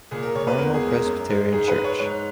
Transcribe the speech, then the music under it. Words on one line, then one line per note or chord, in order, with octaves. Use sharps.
Carmel Presbyterian Church.
A#2 G#4
A#4
A#2 C#5
B4
E2 A#4
G#4
G#3
A#4
F#2
G#3
G#2 G#4
B4
G#3
C#5
G#2 C#5